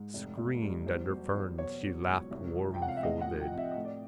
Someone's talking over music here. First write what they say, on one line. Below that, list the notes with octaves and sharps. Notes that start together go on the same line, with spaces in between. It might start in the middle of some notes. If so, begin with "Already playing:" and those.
Screened under ferns she laughed warmfolded.
Already playing: G#2
F1
F1
G3
E2 C5
F#3
E2
B2 C#5
F#3
C#2
C2
F3
G5
C3 F#5
F5
E5
A2 D#5
F#5
F3
G5
C4
E5
A2 D#5
D5